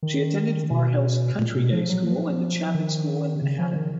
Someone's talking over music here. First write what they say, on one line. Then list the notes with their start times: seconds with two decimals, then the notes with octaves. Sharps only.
She attended Far Hills Country Day School and the Chapin School in Manhattan.
0.03 D#3
0.71 B2
1.39 A#2
1.55 B2
1.73 F3
1.89 F#3
2.06 F3
2.74 D#3
3.42 C#3
3.59 F3
3.76 D#3